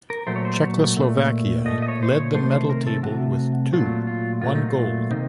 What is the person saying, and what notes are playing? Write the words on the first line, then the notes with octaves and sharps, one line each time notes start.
Czechoslovakia led the medal table with two, one gold.
A#4
A#2 F#3 A3 C5
C#5
C5
C#5
A#2 A3
A#2 A3 D#5
D#5
C#5
C5
C#5
C3 D#3 A3 C5
C5
A#4
A4
C3 D#3 A3 F#4
A#2 F#3 A3 F4
F4
A#2 F#3 A3 F4
D#4
F4
C3 D#3 D#4